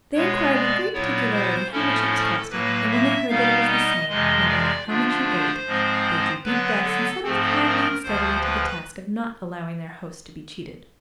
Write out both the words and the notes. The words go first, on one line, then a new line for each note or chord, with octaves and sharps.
They inquired with great particularity how much it was costing, and when they heard that it was the same, no matter how much you ate, they drew deep breaths and settled quietly and steadily to the task of not allowing their host to be cheated.
B2 G#3 B3 C#5
D5
A#2 F#3 B3 E4 C#5
C5
A2 F3 A3 C#4 E4 A4
A2 F#3 A#3 B4
E5
B2 G3 B3 D#4 F5
D#5
F2 C3 E3 G#3 D#5
D5
D3 F3 A3 D4 F4
C5
G#2 F3 G#3 C4
D3 F#3 B3 B4
A4
G#2 F3 A3 C4 A4
A#4
D2 D3 F3 C5
B4